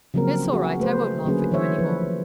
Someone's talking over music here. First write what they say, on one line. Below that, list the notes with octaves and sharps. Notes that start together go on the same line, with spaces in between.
It's all right; I won't laugh at you any more.
C#3 F3 F#3 A#3 C4 A#4
F#4 G#4
A3 B4 C5
D3 F#3 A#3 C#4 G#4 B4
E3 E4 C5 C#5 E5
F3 B4